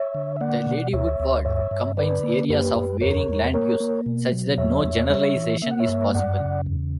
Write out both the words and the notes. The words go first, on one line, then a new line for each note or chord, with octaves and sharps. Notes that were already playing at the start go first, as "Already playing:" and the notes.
The Ladywood ward combines areas of varying land-use, such that no generalisation is possible.
Already playing: C#5 E5
D3
E5
A#3 D5 F#5
B2
D2 C#5 E5
D2
G2 C#5 E5
G2
D3 B4 D5
A#3
F#2 G4 B4
F#2
E2 A#4 C#5
E2
A#3 A#4 C#5
A#3
B2
F#3
E2 C#5 E5
E2
G3 C#5 E5
E3
A#3 E5
F#5
C#5 E5
G2
F#2 D5 F#5
C#3
E2